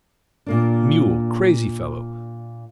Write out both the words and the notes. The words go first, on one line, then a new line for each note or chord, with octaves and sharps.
Mule! Crazee fellow!
A#2 A#3 D4